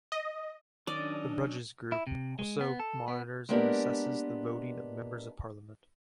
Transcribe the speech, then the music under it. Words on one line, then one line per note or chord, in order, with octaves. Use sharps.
The Bruges Group also monitors and assesses the voting of Members of Parliament.
D#5
D#3 F#3 C#4 D4 D5 D#5
E4
C3
G#3
B3
A4
B3
G#3 A#3 B3 D4 G4 A#4